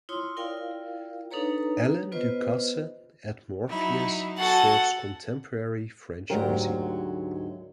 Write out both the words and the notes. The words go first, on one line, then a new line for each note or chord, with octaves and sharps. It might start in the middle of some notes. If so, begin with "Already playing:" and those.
Alain Ducasse at Morpheus serves contemporary French cuisine.
E4 F4 C#5 C6 D#6
E4 F4 A#4 D5 F5 G5
D4 D#4 A4 B4 C#5 A#5
B3 F4 B4 C5 D#5
F#3 D#4 E4
F#4 A4 F#5 G#5 A5 A6
D2 G#2 F#3 G4 A#4